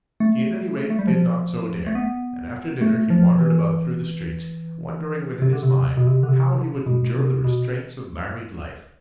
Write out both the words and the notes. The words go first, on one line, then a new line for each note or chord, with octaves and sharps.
He at any rate did not so dare;--and after dinner he wandered about through the streets, wondering within his mind how he would endure the restraints of married life.
A3
A3
G3
F3
A3
B3
A3
F3
E3
C3
D3
C3
B2
C3
D3
C3
B2
C3
B2